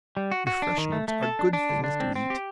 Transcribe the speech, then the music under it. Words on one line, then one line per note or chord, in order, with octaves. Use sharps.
"Refreshments are good things to eat!"
G3
F#4
F#4
D4
D#3
A3
A3
A4
D4
D4
D3
D4
C4
C4
G4